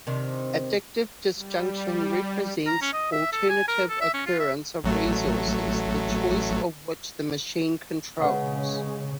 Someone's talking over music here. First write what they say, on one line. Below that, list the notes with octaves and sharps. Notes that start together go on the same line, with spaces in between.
Additive disjunction represents alternative occurrence of resources, the choice of which the machine controls.
C3 D#3 D4
G3
A#5
C#4
D#5
E5
A4
G#5
A#4
A4
E5
C#4
F4
E5
A1 F#3 A3
C#3 G#3 B4 F#5